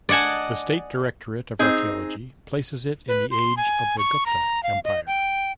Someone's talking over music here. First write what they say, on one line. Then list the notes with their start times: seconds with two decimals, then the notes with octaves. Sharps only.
The State Directorate of Archaeology places it in the age of the Gupta Empire.
0.09 D5 D#5 F#5 G#5 A5
1.59 C4 D#4 G#4
3.08 B4
3.31 C6
3.57 G#5
3.98 C#6
4.26 A#5
4.63 F5
4.85 D#5
5.07 G5